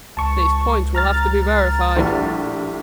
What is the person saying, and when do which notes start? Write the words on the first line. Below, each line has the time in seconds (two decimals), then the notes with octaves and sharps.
"These points will have to be verified."
0.17 C#2 A5 C#6
0.95 A#5 F6 A6
1.97 A#1 A2 G3